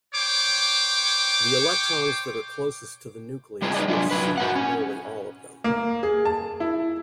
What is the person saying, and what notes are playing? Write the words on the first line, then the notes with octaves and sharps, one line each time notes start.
The electrons that are closest to the nucleus will 'see' nearly all of them.
C5 C#5 G5 D6
G3 G#3 C4 F4 G#4
D#4 B4 D5 D#5
F#3 D4 F4
F#2 C3 F#3 B4
F#4 A#4 F#5
C#4
A#3
G#4
A5
E4